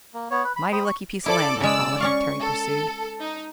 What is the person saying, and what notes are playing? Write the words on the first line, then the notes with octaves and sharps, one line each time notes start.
"Mighty lucky piece of land, I call it," Terry pursued.
A#3
B3 C#5
B4
B5
C5 G5 B5 D#6
C#6
E4 A4 D5 D6
C#3 G#3 D5 E6
C#4 D5 F5 C#6
A4
D#4